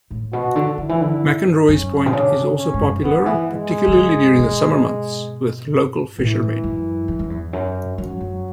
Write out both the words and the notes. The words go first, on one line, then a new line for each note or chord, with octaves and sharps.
McInroy's Point is also popular, particularly during the summer months, with local fishermen.
A2
B2 F#4
D3
D3 E4
E3
D3
F#2 C#4
B2
C#3 D4
C#4
G#2
F#2
D3 B3
E3
G#3
D3
C#3
B2
A2 E3
F#2
E2
F#2
E2
F#2
F#2 F#3
F#2